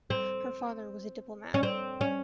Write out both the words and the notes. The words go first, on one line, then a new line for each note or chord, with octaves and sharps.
Her father was a diplomat.
C4
C#4
C4
C#4